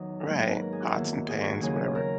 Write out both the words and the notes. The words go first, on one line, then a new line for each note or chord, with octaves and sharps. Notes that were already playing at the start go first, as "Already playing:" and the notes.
Right, pots and pans or whatever.
Already playing: E2 D#3 F#3 D#4
G#2 F#3 A#3
B4
A#4
G#4
F#4
E2 D#3 A#3 E4
G#4
F#4
D#2 C#3 F#3 A#3 G#4
A#4